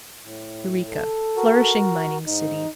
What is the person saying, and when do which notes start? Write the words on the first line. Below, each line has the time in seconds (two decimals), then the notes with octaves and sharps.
Yreka.--Flourishing mining city.
0.24 A2
0.88 A4
1.37 F#4 A#4
2.26 G#2 D#4